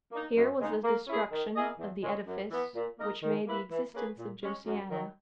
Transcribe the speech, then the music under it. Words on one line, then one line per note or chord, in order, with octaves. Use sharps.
Here was the destruction of the edifice which made the existence of Josiana.
A#3 D#4
F#2
C#3 G#3 D#4
A#3
C#4 E4 G#4
D#3
A#3 E4 G#4 D#5
E2
C#3 G#3 C#4
F#2
E3 B3
A#2
A#3 D#4 A#4 D#5
D#3
A#3 E4 B4
E3
A#3 C#4 G#4 B4
A#2
G#3 C#4
F#2
D#3 F#3